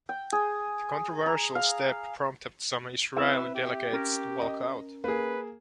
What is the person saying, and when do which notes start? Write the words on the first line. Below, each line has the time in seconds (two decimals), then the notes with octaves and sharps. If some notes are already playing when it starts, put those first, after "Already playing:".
The controversial step prompted some Israeli delegates to walk out.
0.09 G5
0.32 G#4
1.26 A#5
1.55 F5
3.16 C4 E4 B4 E5
3.55 G4
3.93 C#4 A#4
4.42 D#5
5.04 A#3 G#4 B4